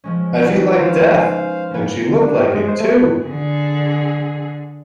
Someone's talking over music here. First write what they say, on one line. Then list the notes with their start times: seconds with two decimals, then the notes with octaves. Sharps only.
I feel like death! And she looked like it, too!
0.04 F3 G#3 C#4
0.40 D#3 C#4 D#4 B4
0.73 C5 F5
1.18 G#5
1.71 C#3 F3 A#3 B3 C#4
2.09 D3
2.22 D4
2.39 G4
2.55 G#3
2.68 C5
2.80 A3
3.24 D3 G#4